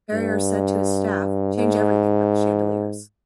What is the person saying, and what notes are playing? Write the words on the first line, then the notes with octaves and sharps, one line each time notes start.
Perrier said to his staff, Change everything but the chandeliers.
G2
G#2